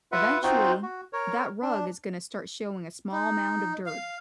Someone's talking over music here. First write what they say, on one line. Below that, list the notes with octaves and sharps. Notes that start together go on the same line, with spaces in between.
Eventually, that rug is gonna start showing a small amount of dirt.
F4 B4 E5 F#5
C4 D#4 F4 F#4 C5
F#4
A#4 C#5
D4
D#4
F5